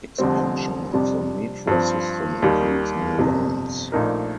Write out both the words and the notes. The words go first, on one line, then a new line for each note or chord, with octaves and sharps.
Expansion of the metro system includes new lines.
F1 F2 D3 G3 C4
F2 C3 G3 D4 G4
G2 F3 C4
D#2 D#3 G3
G1 F2 C3 G3
A#1 A#2 A3 D#4 A#4